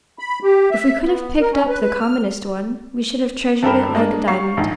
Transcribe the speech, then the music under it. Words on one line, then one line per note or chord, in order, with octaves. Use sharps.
If we could have picked up the commonest one, we should have treasured it like a diamond.
B5
G4
E5
B3
A#4
C#4
B4
B4
F6
G2 A4 A#4 G5 B5 E7
G#3 A#3 D4
G3 F5 C#6 C7
A#1 G#2 D#3